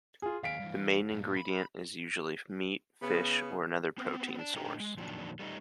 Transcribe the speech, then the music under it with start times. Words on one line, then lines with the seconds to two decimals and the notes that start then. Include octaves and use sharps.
The main ingredient is usually meat, fish or another protein source.
0.22 F4 G#4
0.43 D#2 G#4 F5 B6 D7
0.60 G2 E3
1.12 G2 A#2
1.37 B5
3.02 C#3 B3
3.98 B3 C4
4.39 D4
4.56 A2 D4 D#4 D#5 G5 A#5
4.80 G#3
4.97 F2 A#2 D#3 F#3 D4
5.39 G3 A3 D#4